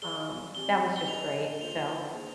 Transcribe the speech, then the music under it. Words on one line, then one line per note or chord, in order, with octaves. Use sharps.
um, that was just great, so
G#4 D5 F5 G#5 G7
C4 G4 D5 G#5 G7
G7
D4 G#4 D#5 G#5 F7
A#3 F4 C5 F7
A#3 D4 G#4 C5